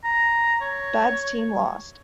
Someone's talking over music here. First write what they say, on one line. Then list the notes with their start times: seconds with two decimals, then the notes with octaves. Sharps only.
Badd's team lost.
0.04 A#5
0.61 C#5